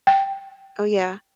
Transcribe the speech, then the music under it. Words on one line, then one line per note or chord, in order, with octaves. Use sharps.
Oh yeah.
G5